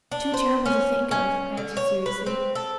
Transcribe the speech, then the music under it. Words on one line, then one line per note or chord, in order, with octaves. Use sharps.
"Too terrible to think of," I answered seriously.
D4
C5
C#4
C#4
D3
C#5
B4
C4
A4